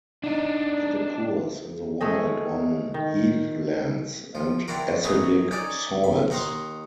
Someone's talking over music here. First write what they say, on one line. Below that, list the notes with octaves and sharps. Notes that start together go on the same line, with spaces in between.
It occurs in the wild on heathlands and acidic soils.
D4 D#4
G#3 A3 G#4 D#5
D#3
F3
C4 D4 E4 F#4 A#4
F#2 F#3 D#4 G#4 B4 C#5
C#4 D#4 A4 D5 G#5
B5
D#2 D#4 F#5 A#5 C6